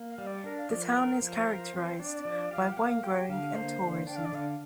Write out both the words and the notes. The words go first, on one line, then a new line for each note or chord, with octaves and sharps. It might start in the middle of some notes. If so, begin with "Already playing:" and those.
The town is characterized by winegrowing and tourism.
Already playing: A#3
F5
G3
D5
D4 A#4
F5
F3 D5
A#4
A#4 C5
F3
A#4
C4
D4 D5
F3
G4 F5
G5
A#3 F5
G4 G5
D3 F5
A#3 C5
D3
D4 G5
F5
D5
D3 F5